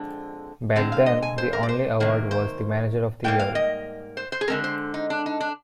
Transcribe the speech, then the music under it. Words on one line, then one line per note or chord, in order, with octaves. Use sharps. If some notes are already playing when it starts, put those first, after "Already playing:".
Back then, the only award was the Manager of the Year.
Already playing: F2 D3 G#3 C4
D3 G#3 C4
F5
D#5
G#5
C5
A#4
D5
C5
C3 D#3 A#3
C5
G#2 G3 A#3 G5
F5
D#5
C5
C5
G#4
D3 G#3 C4 A#4
C5
D#4
D4
D#4
D4